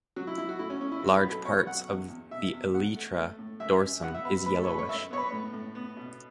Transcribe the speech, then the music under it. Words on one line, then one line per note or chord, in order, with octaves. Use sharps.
Large part of the elytra dorsum is yellowish.
F#3 F#4
E4
F#3 E4
F#4
A3 E4
C#4
A3 C#4
E4
F#3 F#4
B4
B1
A4
B3 C#5
F#3 F#5
E2
E2
B2 E5
E2
E2 F#5
A3
A3
A2
F#2 E5
F#2
B3 F#5
E5
E2 B4
A2 B4
A4
C#5
A2 B4
C#5
F#2 E5
B3 C#5
B4
A2
A2
B3
B2